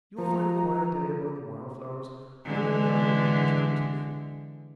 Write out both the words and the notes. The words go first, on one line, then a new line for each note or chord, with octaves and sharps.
You will find a quiet day among the wild flowers a very valuable restorative.
F3 A#5
D3 E3 G#3